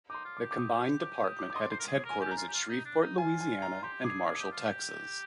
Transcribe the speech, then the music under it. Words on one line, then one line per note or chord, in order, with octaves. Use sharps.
The combined department had its headquarters at Shreveport, Louisiana, and Marshall, Texas.
D#4 C6 D6
F4
D6
G4
D6
D#6
D6
D#6
D6
D6
D#5 C6
D5
C5 C6
A#4
G#4
A#4
G#5
G4
A#5
F4
G4
F4
D#4
D4
D#4
F4 G#5
G#5
A#5
G4 C6
G#4 D6
G#4 D6
D#6
G4 D6
F4
G4